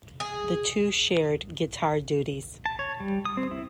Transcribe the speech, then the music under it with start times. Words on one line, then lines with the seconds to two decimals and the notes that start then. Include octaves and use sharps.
The two shared guitar duties.
0.20 G#4
2.66 A5
2.79 C#5
3.00 G3
3.25 D#6
3.37 C4
3.51 E4